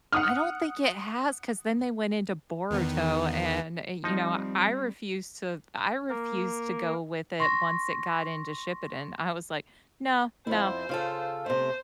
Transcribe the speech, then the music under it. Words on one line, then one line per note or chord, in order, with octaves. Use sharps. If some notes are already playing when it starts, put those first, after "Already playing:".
I don't think it has, 'cause then they went into Boruto, and, eh, you know, I refused to I refused to go with it once it got into Shippuden, I was like, "No, no."
F#5 D#6 F6
E2 D#3 B3
F3 G3 C4 D#4
A#3 A#4
C6 C#6 A#6
F2 E4 C5
C#3 F4 A4
C3 A3 C5